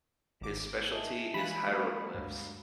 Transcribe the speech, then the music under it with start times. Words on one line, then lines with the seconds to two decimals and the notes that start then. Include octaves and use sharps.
His specialty is hieroglyphs.
0.41 G#1 D6
0.91 D#4 G#4 D#5 E5 A5
1.34 E3 G#3 F5 G#5 B5 F#6
1.66 F#3 A#3 D#5
2.14 D2 G2